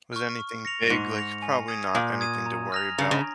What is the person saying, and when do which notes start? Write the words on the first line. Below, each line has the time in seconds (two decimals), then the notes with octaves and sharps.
Was anything big like, probably not anything to worry about.
0.13 C#6 F6
0.39 C#6
0.65 A#6 C#7 F7
0.90 G#2 C#6
1.16 A#6 C#7 F7
1.42 G#5
1.68 D#6 G#6 D#7
1.94 A#2 G#5
2.21 D#6 G#6 D#7
2.46 A#5
2.72 F6 A#6 F7
2.98 C#3 A#5
3.11 C#3